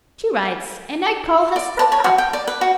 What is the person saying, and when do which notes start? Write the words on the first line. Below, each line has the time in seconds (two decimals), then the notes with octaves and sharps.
"She writes; and I call her stuck up."
1.56 D5
1.79 A5
1.92 C#5
2.04 F#4
2.18 G5
2.33 D5
2.48 B4
2.61 F#4